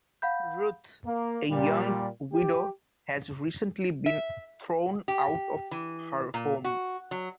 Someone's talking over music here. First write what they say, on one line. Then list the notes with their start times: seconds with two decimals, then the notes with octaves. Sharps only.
Ruth, a young widow has recently been thrown out of her home.
0.22 F5 F#5 B5 G6
1.06 A#3
1.50 A#2 G3
2.33 G4
4.06 E5
5.08 G4
5.71 E3
6.34 A#2
6.65 F#4
7.11 F#3